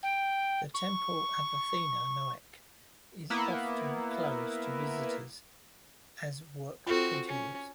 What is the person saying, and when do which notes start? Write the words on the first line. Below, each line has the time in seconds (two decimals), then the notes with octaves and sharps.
The Temple of Athena Nike is often closed to visitors as work continues.
0.03 G5
0.74 C#6
3.30 A#3 B3 E4
6.87 C4 F4 F#4 A4
7.27 C#4